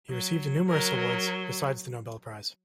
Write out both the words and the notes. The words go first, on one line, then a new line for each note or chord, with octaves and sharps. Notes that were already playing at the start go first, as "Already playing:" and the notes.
He received numerous awards besides the Nobel Prize.
F#3
F#3 A#4
A#4